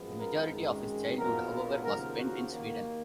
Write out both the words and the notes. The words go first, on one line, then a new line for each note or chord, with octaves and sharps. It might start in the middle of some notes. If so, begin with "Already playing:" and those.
The majority of his childhood, however, was spent in Sweden.
Already playing: F#2 F3 G#3 B3
A#4
G#1 F#2 D#3 G#3
A#1 A#2 F#3 B3 A#4
D#2 C#3 F3 A#4
F#4
D#2 D#3 A#3